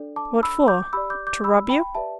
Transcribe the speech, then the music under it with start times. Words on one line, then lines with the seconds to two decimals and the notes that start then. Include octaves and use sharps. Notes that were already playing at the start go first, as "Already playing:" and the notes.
"What for--to rob you?"
Already playing: D4 A4 D5
0.16 A5 D6
0.43 B5 E6
0.68 D6 G6
0.93 G4 D5 B5 E6
1.10 D6 G6
1.27 D6 G6
1.44 B5 E6
1.69 G5 B5
1.95 G4 B4 D5 E5 A5